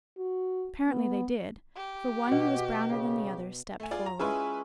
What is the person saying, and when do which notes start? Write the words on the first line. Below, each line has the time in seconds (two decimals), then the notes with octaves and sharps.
Apparently they did - for one who was browner than the others stepped forward.
0.17 F#4
0.90 B3
1.76 G4
2.27 B2 F#4 F#5
2.90 C#3
3.80 A3 G#5
3.91 F4 G#4 D5
4.06 A#5
4.19 G#3 C#4 E4 F4 B4